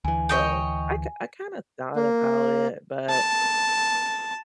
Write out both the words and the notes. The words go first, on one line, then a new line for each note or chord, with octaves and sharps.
So I k I kinda thought about it, but
D2 E3 G#5
C#5 D#5 G5
A#3
A5